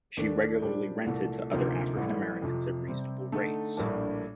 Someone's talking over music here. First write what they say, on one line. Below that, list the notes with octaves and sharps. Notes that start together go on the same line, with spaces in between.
She regularly rented to other African Americans at reasonable rates.
D#2 D#3 A3 D4 A4
A#2 G3 D4 G4 C5
C2 A#2 A3
D2 C3 F3 A#3 D#4
A1 A2 G3
F2 C3 F3
C3 G3 C4
D3 A3 D#4 A4
A#1 A2 G3 A#3 D4